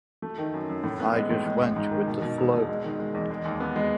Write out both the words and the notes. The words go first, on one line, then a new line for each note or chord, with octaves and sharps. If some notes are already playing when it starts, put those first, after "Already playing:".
I just went with the flow.
A3
D#3
F#2
F#2
A2
B3
G#3
A2
G#3
A1
G#2
D#3
B2
B2
E1
B2
G#3
D#3
G#3
E2
G#3
D#2
B3
G#3